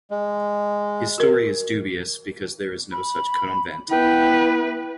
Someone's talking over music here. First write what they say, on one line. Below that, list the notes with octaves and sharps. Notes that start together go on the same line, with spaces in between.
His story is dubious because there is no such convent.
G#3
F#4 A#4
B5
B3 E4 B4 G5